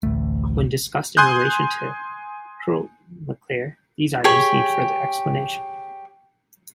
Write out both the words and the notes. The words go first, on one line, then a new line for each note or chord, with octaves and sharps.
When discussed in relation to Cromaclear, these items need further explanation.
A1 D2 A3
G#5 C6 D#6 F#6 G6
G4 G#4 C#5